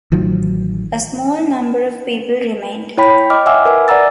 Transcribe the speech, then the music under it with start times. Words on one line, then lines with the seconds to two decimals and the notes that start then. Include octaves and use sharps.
A small number of people remained.
0.12 A1 D#3 F3 F#3
2.98 E4 C#5 G5 B5 B6
3.30 D#5 G5 D6 F6
3.46 E5 F#5 G#5 D6 E6
3.65 A#4 B4 G#5
3.88 D5 F#5 A#5 E6 A6